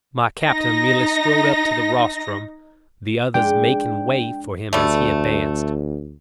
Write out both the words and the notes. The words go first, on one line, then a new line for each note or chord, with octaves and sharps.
My captor merely strode up to the rostrum, the others making way for him as he advanced.
D#4 A#6
G#3 D4 G5
D2 G3 A3